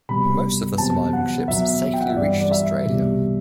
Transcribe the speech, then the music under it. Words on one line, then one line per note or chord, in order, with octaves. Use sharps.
Most of the surviving ships safely reached Australia.
C2 B2 G3 B5
E2 C3 F#3 A5
F#5
E2 B2 F#3 E5
G5
F#5
E5
G2 E3 G3 D5
D5
E5
C2 B2 G3